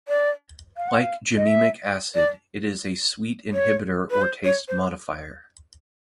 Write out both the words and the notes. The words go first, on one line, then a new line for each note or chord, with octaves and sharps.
Like gymnemic acid, it is a sweet inhibitor or taste modifier.
D5
F5
F#5
F5
D#5
E5
D5
C#5
B4
C5
C#5
C5